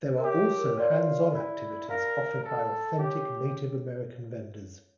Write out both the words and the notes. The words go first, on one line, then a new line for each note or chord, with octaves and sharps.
There are also hands-on activities offered by authentic Native American vendors.
A#4
G4 C#5
A#4
C#5
F4 D5
E4
A#4 F5
A4
G4 C#5